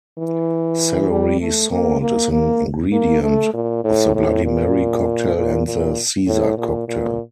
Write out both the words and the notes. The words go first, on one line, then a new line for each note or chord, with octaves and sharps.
Celery salt is an ingredient of the Bloody Mary cocktail and the Caesar cocktail.
E3
G3
A3
A#3
A#3
A#3
A#3
A3
A#2
A2
A2
A#2
A#2
A#2
A2
A#2
A#2